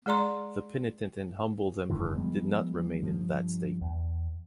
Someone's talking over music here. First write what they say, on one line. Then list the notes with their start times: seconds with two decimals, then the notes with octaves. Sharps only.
The penitent and humbled emperor did not remain in that state.
0.06 G#3 G#4 D5 A#5 C6
1.90 F1 G2 D3 E3
2.16 F3 G3 G#3 B3
3.02 G2 F3
3.81 E2